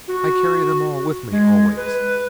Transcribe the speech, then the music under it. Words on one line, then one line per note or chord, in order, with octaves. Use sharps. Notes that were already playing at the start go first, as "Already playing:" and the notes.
I carry them all with me always.
F#4
G#3
B4